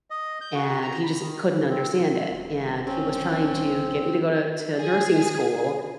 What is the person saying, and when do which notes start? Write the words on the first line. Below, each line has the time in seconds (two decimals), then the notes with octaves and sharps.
and he just couldn't understand it, and he was trying to get me to go to to nursing school
0.10 D#5
0.41 G6
0.54 F#4
0.81 A#5
1.03 B5
1.20 D#3
1.48 E3
1.70 C4
1.94 A2
2.30 D#1
2.86 C4 C#4
4.79 G#4